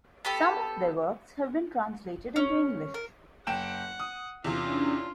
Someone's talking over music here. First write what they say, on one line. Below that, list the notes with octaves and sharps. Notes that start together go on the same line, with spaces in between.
Some of their works have been translated into English.
B3 G4 A4
C#4
A#4
F#1 F#5 G5 E7
D#6
E2 C3 E3 C#4 D4 F4